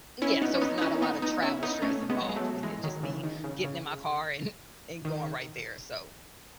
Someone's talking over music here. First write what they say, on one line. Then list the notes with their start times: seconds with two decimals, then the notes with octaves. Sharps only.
Yeah, so it's not a lot of travel stress involved with it. Just me getting in my car and and going right there. So,
0.22 C#4 E4
0.42 B3 D#4
0.55 C#4
0.61 B3 D#4
0.78 D#4
0.82 C#4 E4
1.02 B3 D#4
1.22 B3 D#4
1.43 C#4 E4
1.63 B3 D#4
1.82 A3 C#4
2.10 G#3 B3
2.22 F#3
2.29 G#3
2.36 F#3 A3
2.63 E3 G#3
2.84 D#3 F#3
3.03 C#3 E3
3.24 D#3
3.44 C#3
3.64 C#3
5.05 D#3